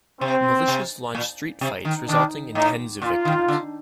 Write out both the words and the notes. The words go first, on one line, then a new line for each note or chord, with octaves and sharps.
Militias launched street fights resulting in tens of victims.
C3 C4
C3
A#2
C3
D#3
D#3 D4
A2 D#4
A#2 F4
D#3
D3